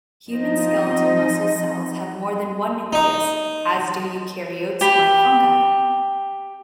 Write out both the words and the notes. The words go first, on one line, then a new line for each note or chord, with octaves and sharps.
Human skeletal muscle cells have more than one nucleus, as do eukaryotes like fungi.
F3 C4 D#4 D#5
D#4
G4 B5